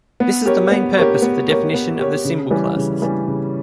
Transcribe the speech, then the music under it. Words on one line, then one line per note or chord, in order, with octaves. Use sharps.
This is the main purpose of the definition of the symbol classes.
B3
G4 A#4 C#5
B3
G4 A#4 C#5
B3
G4 A#4 C#5
B3
G4 A#4 C#5
C#3
E3 G3 C#4
C#3
E3 G3 C#4
C#3